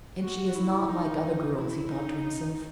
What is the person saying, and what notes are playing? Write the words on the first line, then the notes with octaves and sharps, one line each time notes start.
"And she is not like other girls," he thought to himself.
F#4
E4
D#4
E4
D#4